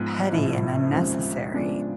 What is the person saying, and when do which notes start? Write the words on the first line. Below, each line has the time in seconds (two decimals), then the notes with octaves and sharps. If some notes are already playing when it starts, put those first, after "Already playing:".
petty and unnecessary.
Already playing: G#2 F3 G#3 B3
0.30 A#1 A2 F3
0.92 D#2 C#3 F3 G#3 C4
1.54 C#3 F3 G#3 B3 D4